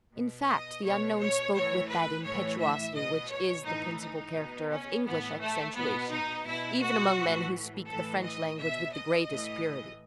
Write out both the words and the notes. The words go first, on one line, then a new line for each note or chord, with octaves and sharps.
In fact, the unknown spoke with that impetuosity which is the principal character of English accentuation, even among men who speak the French language with the greatest purity.
B2
D#5
B2 C#5
C#5
A2 E3 C#5
B4
A2 E3 C#5
E5
B2 D#5
C#5
A2 E3 D#4
D#4
B2
C#4
A2 E3 B3
A3
B2 B3
D#4
B2 E4
F#4
A2 E3
A2 E3 A4
D#5
B2 E5
D#5
A2 E3